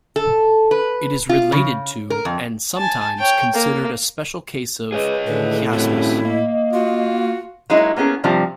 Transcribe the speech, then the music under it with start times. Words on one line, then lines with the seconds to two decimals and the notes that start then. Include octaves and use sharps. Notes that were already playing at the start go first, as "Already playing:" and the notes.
It is related to, and sometimes considered a special case of, chiasmus.
0.16 A4
0.71 B4
1.29 F4
1.52 C#3
2.10 A#4
2.25 F2
2.76 G#5 A5
3.19 C#5 G5
3.54 A#3
4.92 G#3 G#4 B4 C#5 D#5
5.26 A2 D3 D#3 B4
5.73 G2 C#3 C4 C#4 E4 F#4
6.25 A#3 D#5
6.73 F4 F#4
7.70 F#3 G#3 A#3 D#4 E4
7.96 A#3 B3 C#4 G#4 A#4
8.24 G2 C3 F3 G3